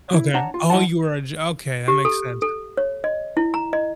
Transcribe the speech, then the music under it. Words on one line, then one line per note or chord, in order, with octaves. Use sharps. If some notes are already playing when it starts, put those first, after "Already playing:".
Okay. Oh, you were a jour okay, that makes sense.
E4
D4 C#5 F#5 A5 A#5
F4
F3 E4 D#5 F#5 A5
G4
A4
A4
C#5
D#5
E4
A#5
D#5